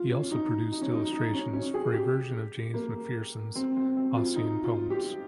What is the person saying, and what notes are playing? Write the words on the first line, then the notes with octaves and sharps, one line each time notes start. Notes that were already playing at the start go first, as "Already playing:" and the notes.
He also produced illustrations for a version of James Macpherson's Ossian poems.
Already playing: F4
C#4
D#4
D#4
C#4
D#4
D#4
C#4
C#4
G#4
G4
A#3
C4
C4
C4
F4
D#4
F4
G4